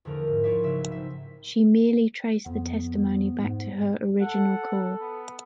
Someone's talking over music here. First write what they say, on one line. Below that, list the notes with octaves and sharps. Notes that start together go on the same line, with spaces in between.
She merely traced the testimony back to her original core.
E2 D3 F3 A3 A#4
G#2
E4 F4 C#5 D5 E5
B1 C#3 E5
F3 C4 D#4 E5
F2 B3
G#2
A4 F#5
B3